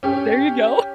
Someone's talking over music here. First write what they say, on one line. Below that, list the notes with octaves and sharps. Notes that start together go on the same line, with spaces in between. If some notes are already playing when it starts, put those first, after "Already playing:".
There you go.
C#4 G4